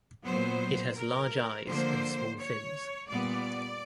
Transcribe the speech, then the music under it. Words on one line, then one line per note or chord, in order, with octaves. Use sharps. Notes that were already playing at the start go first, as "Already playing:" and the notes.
It has large eyes and small fins.
A#2 F#3 B3 C5
A#4
D3 F3 A#3 C5
C#5
A#2 G3 B3 D5